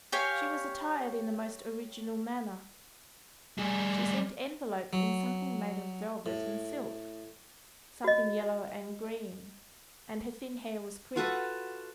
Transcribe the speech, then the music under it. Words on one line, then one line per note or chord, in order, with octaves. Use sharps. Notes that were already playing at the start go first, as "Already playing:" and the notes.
She was attired in the most original manner; she seemed enveloped in something made of velvet and silk, something yellow and green, and her thin hair was crimped.
G4 C#5 F5 G#5
G3 G#4
F#3
A2
F#4 D#5
F4 F#4 A4 B4